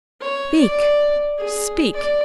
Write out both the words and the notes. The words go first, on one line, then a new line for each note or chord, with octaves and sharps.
Speak, speak!
C#5
D5
G#4
D5